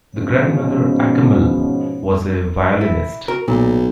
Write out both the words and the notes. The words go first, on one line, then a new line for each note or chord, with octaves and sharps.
Her grandmother Akkammal was a violinist.
G#2 B2 F3 B3 C#4
E4
F#4 A#4
B1 A#2